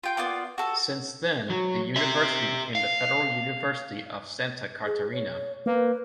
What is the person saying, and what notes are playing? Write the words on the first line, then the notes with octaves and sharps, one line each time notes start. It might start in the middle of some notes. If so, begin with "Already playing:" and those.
Since then the university became the Federal University of Santa Catarina.
F4 G5
A#3 B3 F4 D5
F#4 A4
F#3
G4 E5
F5
G#4
C#5
A#3 B4